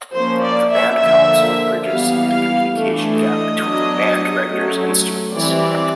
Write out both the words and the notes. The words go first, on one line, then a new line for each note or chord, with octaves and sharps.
The Band Council bridges the communication gap between the band directors and students.
F3 A#3 C#4 C5
D5
E5
D3 F3 A#3 E5
E3 G3 B3 F5
F5
E3 A3 D4
D#5
F#3 B3 D4
F#3 A3 C#4
E3 G3 C4 D5